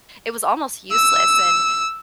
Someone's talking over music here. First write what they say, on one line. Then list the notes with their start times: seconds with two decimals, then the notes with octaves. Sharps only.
it was almost useless and
0.92 E6